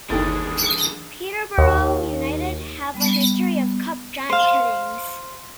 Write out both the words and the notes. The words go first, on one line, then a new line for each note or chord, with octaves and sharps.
Peterborough United have a history of cup giant-killings.
G1 D#2 D3 E3 E4 G#4 A4 A6
D#2
G3 B3
C5 F5